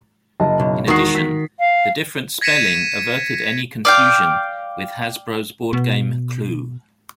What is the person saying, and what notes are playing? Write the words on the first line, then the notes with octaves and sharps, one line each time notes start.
In addition, the different spelling averted any confusion with Hasbro's board game Clue.
F#1 D#5 A5
B1
E1 D#3 F#4 D#6 C7
B6
F5
G#6 A#6 B6 C#7 D#7 E7
D5 F5 G5
B2